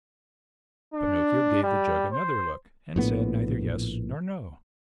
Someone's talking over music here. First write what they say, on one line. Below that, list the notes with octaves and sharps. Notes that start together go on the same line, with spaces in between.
Pinocchio gave the jug another look and said neither yes nor no.
D4
G3
C5
A#1 A2 B3